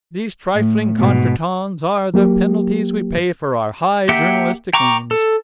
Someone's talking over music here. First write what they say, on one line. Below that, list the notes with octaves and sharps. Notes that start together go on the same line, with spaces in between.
These trifling contretemps are the penalties we pay for our high journalistic aims.
A2
G#2 B2
F#3 A#3 G4
A#3 G4 E5 F#5 G5
G5 A#5 C#6 D6
A4